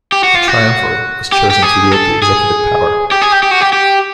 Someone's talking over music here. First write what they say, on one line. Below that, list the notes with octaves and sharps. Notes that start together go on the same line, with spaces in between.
A Triumvirate was chosen to wield the executive power.
G4
F#4
F4
F#4
G4
G4
G#4
A4
G#4
G4
G#4
G4
G4
F#4
G4
G4